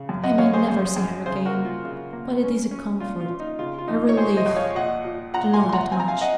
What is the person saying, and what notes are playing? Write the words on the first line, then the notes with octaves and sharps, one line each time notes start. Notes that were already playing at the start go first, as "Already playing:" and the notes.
I may never see her again; but it is a comfort--a relief--to know that much.
Already playing: C#3
F#2
D#5 F#5
F#2 C#5 F5
G#4 C5
F#2
F#2
C#3 G#4 C5
F#4 A#4
A#3
F4
C#3
A#3
C#4
C#4
A#2 F4
F4
A#2
D#4
C#3 F4
F4
F2 D#4
C#5
G#3 G#4 C5
C5 D#5
F2
C#5 F5
A#2 D#5 F#5
A#2
A#2 F#5 A#5
G#5 C6
A#2
C6
F#5 A#5
C4 G#5
A#5
F5 G#5
D#5 F#5